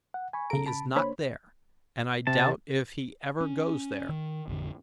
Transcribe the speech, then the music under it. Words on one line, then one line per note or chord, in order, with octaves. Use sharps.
He is not there and I doubt if he ever goes there.
F#5
G#5 B5 C#6
C#3 A4 A#5 D7
A5 B5
A#3 D4 C5 C#5 B5
C3 A5
C#4
D#3
A1 F2 D3